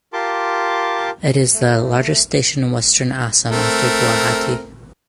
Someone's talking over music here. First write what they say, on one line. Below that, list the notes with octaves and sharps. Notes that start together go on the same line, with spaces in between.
It is the largest station in Western Assam after Guwahati.
F4 G4 A#4 A5 C6 D6
A3
A3 C4 A#4